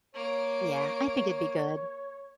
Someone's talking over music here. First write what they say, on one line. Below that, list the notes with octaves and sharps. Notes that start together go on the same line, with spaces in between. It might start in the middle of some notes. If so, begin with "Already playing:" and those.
Yeah, I think it'd be good.
A#3 C#5 D7